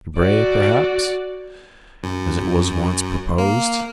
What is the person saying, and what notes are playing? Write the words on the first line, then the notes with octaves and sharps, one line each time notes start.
Debray, perhaps, as it was once proposed.
F#4 D5
F#2
A#3